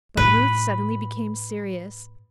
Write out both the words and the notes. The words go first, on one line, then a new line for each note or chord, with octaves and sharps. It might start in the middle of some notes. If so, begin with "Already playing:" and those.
But Ruth suddenly became serious.
A2 D#4 B4